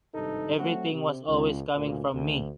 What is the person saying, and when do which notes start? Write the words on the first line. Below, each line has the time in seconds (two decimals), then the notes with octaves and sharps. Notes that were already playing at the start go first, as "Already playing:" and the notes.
Everything was always coming from me.
0.14 G#1 G2 C3 D#4 A4
0.58 F#3 A3 C4 F#4
0.91 C3
1.27 C#2
1.75 D2 A#2
2.13 D2